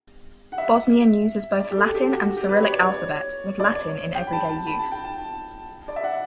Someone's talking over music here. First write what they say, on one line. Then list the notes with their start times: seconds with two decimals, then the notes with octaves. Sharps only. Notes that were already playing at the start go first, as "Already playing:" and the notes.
Bosnian uses both Latin and Cyrillic alphabet, with Latin in everyday use.
0.52 F#5
0.58 E5
1.60 D5
1.71 G4
1.78 A4
1.94 G4
2.12 F#4
2.37 G4
2.49 B4
2.63 C#5
2.72 D5
2.83 C#5
3.60 D5
3.64 C#5
4.15 G5
4.27 B5
4.33 A5
4.49 A5
4.67 B5
4.79 A5
4.91 G5
5.04 A5
5.88 D5
5.96 E5
6.04 F#5